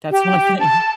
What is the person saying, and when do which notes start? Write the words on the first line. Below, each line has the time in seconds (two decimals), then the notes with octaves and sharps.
That's one thing.
0.10 G4
0.58 A5